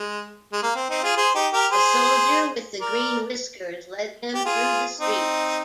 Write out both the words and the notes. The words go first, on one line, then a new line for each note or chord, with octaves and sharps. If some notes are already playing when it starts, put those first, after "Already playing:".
The Soldier with the green whiskers led them through the streets.
Already playing: G#3
G#3
A#3
C4
C4 D#4
F4 G#4
G#4 C5
D#4 G4
G4 A#4
G#4 C5
A#4 D5
G4
F4 G#4
C4 D#4